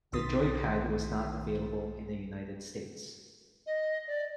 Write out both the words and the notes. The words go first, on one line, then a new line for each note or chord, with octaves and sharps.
The Joypad was not available in the United States.
B1 D#3 C6 D#6 A6 B6
D#5
D5